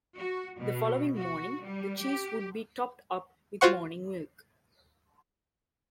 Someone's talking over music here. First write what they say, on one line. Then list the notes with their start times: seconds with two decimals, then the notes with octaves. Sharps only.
The following morning, the cheese would be topped up with morning milk.
0.16 F#4
0.58 B2
1.17 F#4
1.63 G3
2.02 G4
3.61 F4 F#4 C5 F#5 C#6